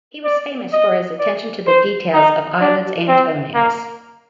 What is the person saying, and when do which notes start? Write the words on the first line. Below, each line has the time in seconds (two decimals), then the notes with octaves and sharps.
He was famous for his attention to the details of eyelids and toenails.
0.24 D5
0.73 D#5
1.18 D5
1.67 C5
2.13 D#4
2.61 D4
3.08 C4
3.54 A#3